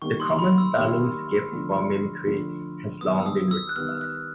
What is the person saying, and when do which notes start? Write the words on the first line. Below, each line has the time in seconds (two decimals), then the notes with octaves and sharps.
The common starling's gift for mimicry has long been recognised.
0.02 D#3 G3 A#3 C#6
0.20 C6
0.39 B5
0.58 E6
0.77 D#3 G3 A#3 F6
1.51 D3 F3 A3
2.26 D3 F3 A3
3.01 D#3 G3 B3 D#6
3.19 E6
3.26 D#6
3.51 E6
3.69 F#6
3.76 D#3 G3 B3 F6
4.01 F#6